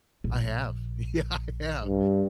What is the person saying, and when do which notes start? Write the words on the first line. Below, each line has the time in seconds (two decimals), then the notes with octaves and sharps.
I have. Yeah, I have,
0.24 A#1
1.83 G2